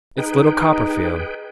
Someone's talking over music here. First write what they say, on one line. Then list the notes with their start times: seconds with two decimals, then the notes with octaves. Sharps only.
'It's little Copperfield!'
0.17 D#4 G#4 B4 G5